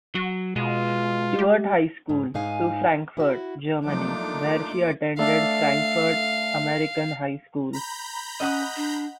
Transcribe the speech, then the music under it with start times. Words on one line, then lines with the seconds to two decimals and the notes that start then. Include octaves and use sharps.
Stuart High School, to Frankfurt, Germany, where she attended Frankfurt American High School.
0.15 F#3 F#4
0.56 B2 G#3 F4
1.39 G4
2.09 G#2
2.34 G#2 D#4 F5 G#5
3.17 E4 F#4
3.86 F3 F#3 A3 A#3 D4 D#4 F4 D6
5.19 A3 D4 F5
7.73 A#5 B5 G6
8.40 C#4 D#5 F#5 D#6
8.76 D4